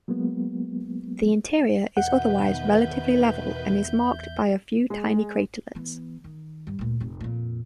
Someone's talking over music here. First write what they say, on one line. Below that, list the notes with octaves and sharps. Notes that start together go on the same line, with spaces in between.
The interior is otherwise relatively level and is marked by a few tiny craterlets.
F#3 G#3 A#3 B3
E2 B2 D#3 B4 E5 F#5 G6
G#3
E3 B3
D#3
G2 G3
D2 A#2
F1 C3
F2 A#2